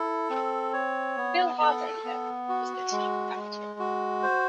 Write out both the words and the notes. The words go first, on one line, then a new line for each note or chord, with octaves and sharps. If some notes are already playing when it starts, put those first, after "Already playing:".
Bill Hardaker was the team captain.
Already playing: E4 A4
C4
C#5
B3
A4
B3
F#4
G#3
G#3
F#4
C5